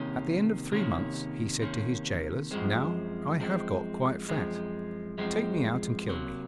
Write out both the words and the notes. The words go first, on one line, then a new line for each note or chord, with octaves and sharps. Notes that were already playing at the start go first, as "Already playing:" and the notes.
At the end of three months he said to his gaolers: 'Now I have got quite fat; take me out, and kill me.'
Already playing: C3 D#3 A#3 C#4
C3 D#3 A#3 C#4
C3 D#3 A#3 C#4
F#2 F3 G#3 C4
F#2 F3 G#3 C4
F#2 F3 G#3 C4
F#2 F3 G#3 C4
C3 F#3 A#3